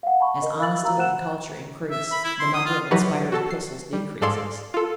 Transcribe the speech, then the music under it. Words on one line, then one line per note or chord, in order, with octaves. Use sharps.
As honesty and culture increase, the number of inspired epistles decreases.
F5 F#5
A5 B5 C#6
A#4 D#5
F5 B5 E6 A6 F#7
F#4 A#4 F5 A#5 E6
C5 F#5 F#6 E7
E5
B5
E4
C6
D#6
F4
E3 F#3 D#4 F#4 G4 B4
F#4 A4 A5
C7
G3
G#2 G#3 A4 D5 F5 C6
F4 A4